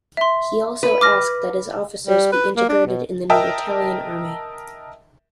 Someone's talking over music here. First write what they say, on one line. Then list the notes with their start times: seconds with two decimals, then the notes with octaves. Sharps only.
He also asked that his officers be integrated in the new Italian Army.
0.17 E5 C6
0.83 B4
1.01 D6 F6 A#6
2.07 G3
2.32 B4
2.56 A#3
2.69 D4
2.86 B2
3.30 A#4 D#5 E5 G5 A5